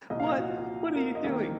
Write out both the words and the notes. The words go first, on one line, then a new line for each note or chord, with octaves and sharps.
What what are you doing?
C2 A#2 F3 D#5
F5
D#5
F#4
F4
F#4
A#4
D#5
C2 C3 D#3 A#3